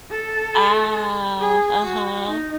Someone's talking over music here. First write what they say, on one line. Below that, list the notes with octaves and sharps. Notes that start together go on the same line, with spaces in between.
Ah, uh-huh.
A4
G#4
F#4
D#4